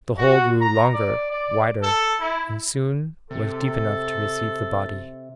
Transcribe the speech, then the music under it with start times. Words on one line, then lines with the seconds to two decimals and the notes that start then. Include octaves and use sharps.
The hole grew longer, wider, and soon was deep enough to receive the body.
0.18 F#4
0.61 A#5
0.94 D5
1.31 D5
1.81 A4
2.20 E4
3.31 C3 A4